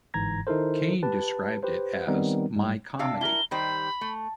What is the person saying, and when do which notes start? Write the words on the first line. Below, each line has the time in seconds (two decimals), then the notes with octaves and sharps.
Kane described it as "my comedy".
0.14 G1 G#2 E3 A#5 G#6 A#6
0.47 D#3 D#4 E4 A4 A#4 C5
1.03 G4 B4 A5
1.63 G4 B4 C5
2.07 D#3 G3 B3 C4 D#4 A#4
2.56 G#2 G3 G#3
2.99 C3 D4 F5 E6
3.21 E4 A#4 G7
3.51 D#3 G3 C5 B5
4.01 A3